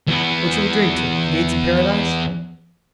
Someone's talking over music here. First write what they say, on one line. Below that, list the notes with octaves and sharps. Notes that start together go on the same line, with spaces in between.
What shall we drink to? The gates of paradise?
E2 B3